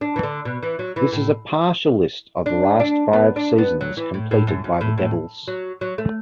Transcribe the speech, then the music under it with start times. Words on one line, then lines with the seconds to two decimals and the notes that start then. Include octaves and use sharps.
This is a partial list of the last five seasons completed by the Devils.
0.01 D4
0.16 E3
0.23 D3
0.45 B2
0.63 E3
0.79 F#3
0.96 E3
1.12 A2
2.46 D4
2.80 D4
3.13 B3
3.36 D4
3.58 B3
3.81 F#3
3.97 E3
4.14 A2
4.31 A2
4.47 F#2
4.64 F#2
4.81 A2
4.98 A2
5.48 F#3
5.81 F#3
5.98 A3